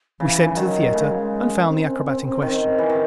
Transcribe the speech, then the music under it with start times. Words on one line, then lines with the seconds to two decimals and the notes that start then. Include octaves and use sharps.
We sent to the theater and found the acrobat in question.
0.19 C#3 E3
0.56 D#3 F#3
0.93 C#3 A3
1.02 G#3
1.11 F#3
1.19 G#3
1.67 C4
2.42 D#3
2.78 E3
2.90 D#3